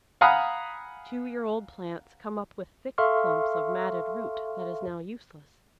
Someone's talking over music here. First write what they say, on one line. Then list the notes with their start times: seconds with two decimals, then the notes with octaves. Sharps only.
Two-year-old plants come up with thick clumps of matted root that is now useless.
0.21 F5 F#5 G#5 A#5 B5 D#6
2.98 A4 E5 F5 C6 C#6 F6